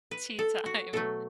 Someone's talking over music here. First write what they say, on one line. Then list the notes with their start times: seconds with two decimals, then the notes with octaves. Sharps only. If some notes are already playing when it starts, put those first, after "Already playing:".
tea time.
0.11 B4
0.39 A4
0.66 F#4
0.93 B2 F#3 A3 A4